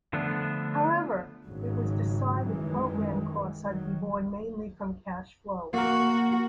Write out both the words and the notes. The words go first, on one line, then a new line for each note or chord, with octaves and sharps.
However, it was decided programme costs are to be borne mainly from cash-flow.
D3 F3 A3 B3 D4
G#1 G#2 C#3 F#3
F#2 D#3 E3 G#3
D#3 F#3
A#3 F#4 A#4